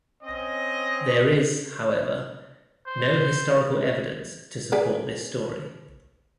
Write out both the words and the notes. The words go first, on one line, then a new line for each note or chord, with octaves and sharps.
There is, however, no historical evidence to support this story.
C4 C#4 D#5
C5
G#4 B4 D5